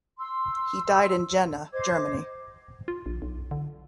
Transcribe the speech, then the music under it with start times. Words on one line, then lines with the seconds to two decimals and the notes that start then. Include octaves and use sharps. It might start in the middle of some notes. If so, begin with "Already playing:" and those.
He died in Jena, Germany.
0.18 C6 E6
1.72 C5 D#5 D6 G#6
2.88 F4
3.06 A#1
3.22 B1
3.51 D3